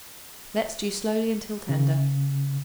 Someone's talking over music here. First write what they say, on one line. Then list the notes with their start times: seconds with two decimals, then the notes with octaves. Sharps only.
Let stew slowly until tender.
1.69 C#3